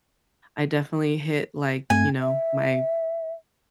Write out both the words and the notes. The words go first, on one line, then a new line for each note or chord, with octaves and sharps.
I definitely hit, like, you know, my
G2 A3 C4 G#5
E5